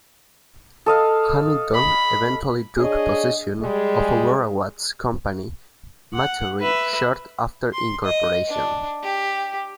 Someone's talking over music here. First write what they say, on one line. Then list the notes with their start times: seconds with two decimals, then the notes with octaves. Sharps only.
Hamilton eventually took possession of Aurora Watch Company's machinery shortly after incorporation.
0.86 A4 D#5 F5
1.74 B5
2.77 D4 G#4 C#5 D#5
3.61 G3 G#3 G#4
6.14 F#5
6.60 B4 E5
7.73 C6
8.04 D#5
8.48 D4
9.03 G4